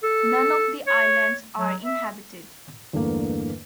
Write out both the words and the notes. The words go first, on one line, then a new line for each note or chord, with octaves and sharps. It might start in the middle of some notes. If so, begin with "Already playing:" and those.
None of the islands are inhabited.
A4
C#5
F#3
E5
E2 G2 D3 A3 A#3